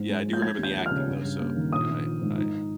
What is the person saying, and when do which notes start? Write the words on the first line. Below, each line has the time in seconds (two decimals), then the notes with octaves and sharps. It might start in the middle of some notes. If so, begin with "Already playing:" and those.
yeah, I do remember the acting, though, so yeah, I I
Already playing: G#2 D#4
0.09 G#3
0.26 F3
0.33 G6
0.42 G#3 G#6
0.58 D#2
0.63 G6
0.75 F3
0.86 F6
0.91 C#3
1.07 G2
1.24 G2
1.40 A#3
1.56 D#3
1.73 A#1 D#6
1.89 A#1
2.06 F3
2.22 G#2
2.38 D#4